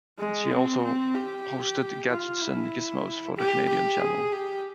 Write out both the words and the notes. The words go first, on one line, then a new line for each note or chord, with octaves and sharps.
She also hosted "Gadgets and Gizmos" for the Canadian channel.
G#3
C4
C4
G4
F4
E4
G4
G4
G#4
G4